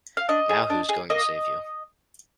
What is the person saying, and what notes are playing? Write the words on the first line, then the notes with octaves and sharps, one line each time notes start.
Now who is going to save you?
F5
D4 D#5
G#4
D4
G#4
A#3 D#5